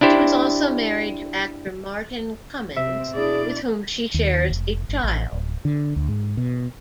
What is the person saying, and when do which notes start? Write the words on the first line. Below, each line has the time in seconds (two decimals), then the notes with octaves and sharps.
She was also married to actor Martin Cummins, with whom she shares a child.
0.01 D4 E4 G4 C5
2.76 C3 C4 E5
3.15 B2 D4 E4 G#4 D5
4.14 D#2
4.50 F1
4.89 G1
5.04 A1
5.33 D1
5.65 D3
5.96 D2
6.08 G#2
6.37 B2